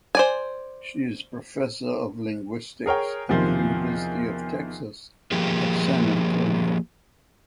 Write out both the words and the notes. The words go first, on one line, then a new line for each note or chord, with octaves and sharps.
She is Professor of Linguistics at the University of Texas at San Antonio.
C5 D5 G#5
G#4 A#4 C#5 G5
E2 C3 D#3 F3
F3 A#3 G4 G#4 A#4